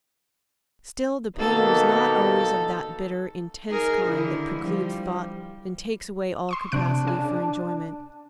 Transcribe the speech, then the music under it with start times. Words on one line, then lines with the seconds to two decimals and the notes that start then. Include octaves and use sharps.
Still the pain was not always of that bitter, intense kind that precludes thought and takes away all capacity for enjoyment.
1.37 B2 D#3 A#3 D#4 A4
3.69 D#4 G#4 A#4
4.06 D3 D#3 E4
4.59 F3 G3
6.49 C6 C#6 D#6
6.72 C3 D4 F#6 D7
7.07 C#3 G#5